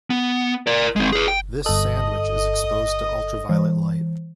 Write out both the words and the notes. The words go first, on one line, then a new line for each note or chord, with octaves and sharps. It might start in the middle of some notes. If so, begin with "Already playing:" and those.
This sandwich is exposed to ultraviolet light.
B3
A#4 D5
G#3 C4
G#4 B4
G5
G1 A4 D#5 D#6 F#7
E3